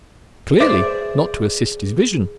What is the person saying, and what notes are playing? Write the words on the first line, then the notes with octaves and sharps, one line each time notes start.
Clearly, not to assist his vision.
G#4 B4 C5 D5 E5